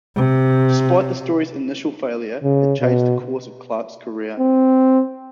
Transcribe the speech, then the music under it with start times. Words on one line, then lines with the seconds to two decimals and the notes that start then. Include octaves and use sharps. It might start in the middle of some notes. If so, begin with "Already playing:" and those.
Despite the story's initial failure, it changed the course of Clarke's career.
0.16 C3
2.43 C#3
2.80 B2
4.39 C4